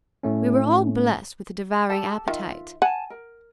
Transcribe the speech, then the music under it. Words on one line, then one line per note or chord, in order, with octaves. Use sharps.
We were all blessed with a devouring appetite.
A2 A3 C#4
G4 A4 A5
D#3 F4 E5
F#5 G#5 A5
A#4